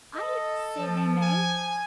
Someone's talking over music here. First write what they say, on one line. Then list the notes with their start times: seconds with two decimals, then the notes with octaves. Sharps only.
I say they may.
0.16 A4 D#5
0.77 F3
1.22 G#5